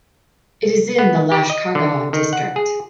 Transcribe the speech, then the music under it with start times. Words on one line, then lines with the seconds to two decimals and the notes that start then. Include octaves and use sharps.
It is in the Lashkargah District.
0.99 B3
1.32 G4
1.50 D#5
1.75 D3
2.13 D#3
2.33 F#5
2.56 G#4